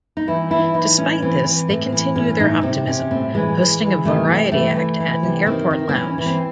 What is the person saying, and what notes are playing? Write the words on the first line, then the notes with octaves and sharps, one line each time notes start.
Despite this they continue their optimism, hosting a variety act at an airport lounge.
D#4
E3 E4
E3 E4
E3 D#4
A2 C#4
E3 C4
E3
A2
E3
A2 C#4
A2 D#4
C3 C4
C3 C#4
A2 C4
E3 G#3
E3
E3
C3 A3
C3
E3 A3
E3
E3
C3
D#3 C4
D#3
C4
E3 C#4
E3
C4